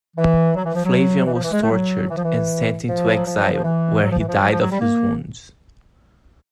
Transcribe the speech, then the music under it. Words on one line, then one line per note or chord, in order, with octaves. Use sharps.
Flavian was tortured and sent into exile, where he died of his wounds.
E3
F#3
E3
F3
F#3
E3
F3
E3
G#3
A3
F#3
E3
F3
E3
F3
F#3
F3
F#3
F3
E3
F#3
F3
E3
F3
F#3
F3
F#3
G3
A#3